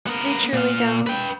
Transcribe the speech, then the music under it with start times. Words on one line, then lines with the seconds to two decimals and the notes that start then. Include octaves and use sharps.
They truly don't.
0.07 B3 A#4
0.53 A#2 F5
1.07 B4 G5